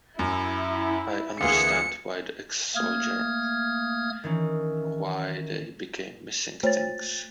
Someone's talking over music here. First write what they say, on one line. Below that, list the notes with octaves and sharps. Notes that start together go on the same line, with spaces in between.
I understand why the ex-soldier, why they became missing things.
F#2 E4
D2 E3 A#3 G#4 C#7
A3 A#3 D#6 F6 G#6
D#3 E3 C#4
A3 C5 C#5 A6